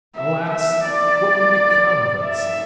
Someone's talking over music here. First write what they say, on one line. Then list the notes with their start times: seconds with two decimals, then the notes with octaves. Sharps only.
Alas, what will become of us?
0.16 E5
0.50 E5
0.84 D5
2.23 E5